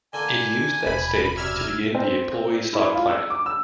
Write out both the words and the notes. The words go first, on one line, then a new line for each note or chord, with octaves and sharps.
It used that stake to begin the employee stock plan.
D3 A#3 A4 G#5
D#1 B1 B5
F#2 C3 D5 E6 F6 G#6
C4
E4
F4
E6
D6
E6